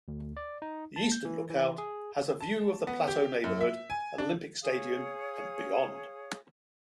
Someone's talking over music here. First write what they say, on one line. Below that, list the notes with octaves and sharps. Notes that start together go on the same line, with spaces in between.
The eastern lookout has a view of The Plateau neighbourhood, Olympic Stadium and beyond.
D2
D5
D#4
A5
G6
E3
E3
G#4
A5
B3
G4
F#2
E5
G#5
D4
G#4 C#5 F5 D#6